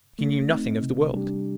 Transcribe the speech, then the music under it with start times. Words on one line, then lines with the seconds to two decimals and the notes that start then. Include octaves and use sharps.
She knew nothing of the world.
0.19 A3
0.50 C4 D#4
0.83 C3
1.14 G3 D4 G4